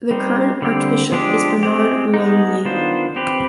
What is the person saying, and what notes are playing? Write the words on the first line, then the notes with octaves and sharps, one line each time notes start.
The current Archbishop is Bernard Longley.
G3 C4 D#4
D3 G3 C4 G4
F3 G#3 D4 G4
G#3 C4 G4
G#3 B3 D#4
D#3 B3 D4 F4 C5
C4 G4 B4